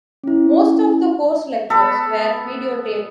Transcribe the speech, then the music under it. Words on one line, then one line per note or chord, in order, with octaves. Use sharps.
Most of the course lectures were videotaped.
C#4 E4
B3 A4 B5